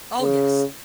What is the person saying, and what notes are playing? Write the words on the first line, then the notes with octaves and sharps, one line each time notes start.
Oh, yes.
C#3